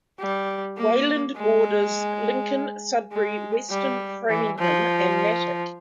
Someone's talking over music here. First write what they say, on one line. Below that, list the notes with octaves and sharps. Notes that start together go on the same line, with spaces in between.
Wayland borders Lincoln, Sudbury, Weston, Framingham, and Natick.
G3
A#3
G#3
G#3
G3
E3
F3